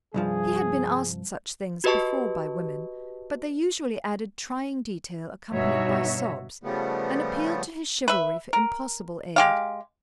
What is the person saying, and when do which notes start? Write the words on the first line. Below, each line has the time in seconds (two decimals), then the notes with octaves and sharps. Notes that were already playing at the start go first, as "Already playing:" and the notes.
He had been asked such things before by women, but they usually added trying detail accompanied by sobs, and appealed to his chivalry for impossible aid.
0.14 C2 G2 F3 G#4
1.84 F#4 G4 B4 D#5 A5 C#6
5.53 G2 B2 D#4 F#4 C#5 E5
6.63 C#3 F3 G3 A3 B3
8.08 B4 E5
8.53 A#4
9.36 G#3 G4 F5